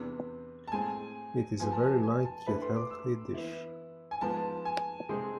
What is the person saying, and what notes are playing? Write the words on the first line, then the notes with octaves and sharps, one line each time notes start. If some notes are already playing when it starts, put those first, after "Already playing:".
It is a very light yet healthy dish.
Already playing: E2 C3 E3 B3 D4
A5
A2 G#3 C4 G#5
F3 B3 F4 G#5
A5
G#5
G#5
A5
D3 A3 E4 B4 B5
C6
D6
E6
E3 B3 E4
G#5
G#2 F3 B3 F4 A5
G#5
C3 G#3 C4 G#4